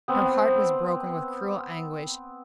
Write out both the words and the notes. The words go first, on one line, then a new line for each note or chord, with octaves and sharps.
Her heart was broken with cruel anguish.
B3 C4